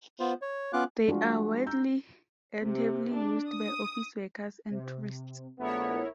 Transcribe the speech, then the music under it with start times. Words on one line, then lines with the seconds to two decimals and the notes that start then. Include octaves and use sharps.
They are widely and heavily used by office workers and tourists.
0.20 B3 F4 C5
0.42 C#5
0.73 B3 C#4 F4 F5 D6 F#6
1.08 F3 G#3 D4 F4 F#4
1.66 A#5 E6 G6
2.64 C3
3.14 D4
3.52 D#6
4.70 C3
5.59 A#1 A3 B3 E4 A#4 C#5